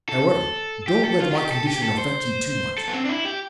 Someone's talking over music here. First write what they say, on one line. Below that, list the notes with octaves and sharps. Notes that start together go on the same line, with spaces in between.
However don't let my condition affect you too much.
A4
G4
A4
F4
F4
G4
A4
G4
A4
C5
A4
B3
C4
D4
E4
G4